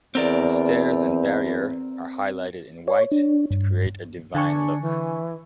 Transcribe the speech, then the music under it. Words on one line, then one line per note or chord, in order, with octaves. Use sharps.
The stairs and barrier are highlighted in white, to create a divine look.
E2 C4 A#4 D5
C#5
D4
G2
D3 D4 G#5 C#6
E3